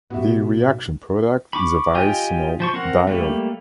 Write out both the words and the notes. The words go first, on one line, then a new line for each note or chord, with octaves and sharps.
The reaction product is a vicinal diol.
B1 A2 B3 F#4 G4 E5
B5 C#6 D6
F4 G4 D#5 G5 G#5
F3 C5 C#6
C4 A#4 F#5
G3 A3 A#3